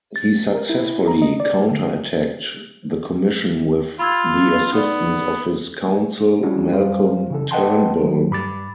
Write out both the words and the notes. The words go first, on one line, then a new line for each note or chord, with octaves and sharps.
He successfully counter-attacked the Commission with the assistance of his counsel Malcolm Turnbull.
A6
A#4
E4
A#5
D#5
D5
D3
F4 B5 E6 G#6
B3 D#4 D5
G3 C#4 D4 E4 F#4
F#2 G3 C5 F5
C#3 E3 A4
B4 D#5 F#5 G5 A5 C6
D#3 F#3
G2 B5 D6 A6